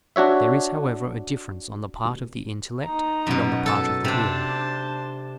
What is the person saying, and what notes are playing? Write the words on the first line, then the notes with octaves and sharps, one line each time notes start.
There is however a difference on the part of the intellect and on the part of the will.
D4 F#4 C#5 E5
D#4 A#5
F#2 B2
A4 A5
C3 D4 C5 A5